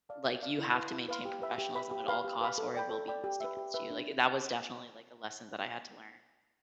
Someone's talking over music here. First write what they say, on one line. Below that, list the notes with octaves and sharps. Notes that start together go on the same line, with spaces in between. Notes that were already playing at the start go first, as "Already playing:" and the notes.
like, you have to maintain professionalism at all costs, or it will be used against you, like, i that was definitely, like, a lesson that I had to learn
D5 F5 A5
B4
D5 F5 A5
E4
B4 F5 C6
E4
B4 F5 C6
G4
B4 E5 B5
G4
B4 E5 B5
G4
B4 F5 B5
G4
B4 F5 B5
A4
D5 G5 B5
A4
D5 G5 B5
G4
B4 E5
G4
B4 E5
D4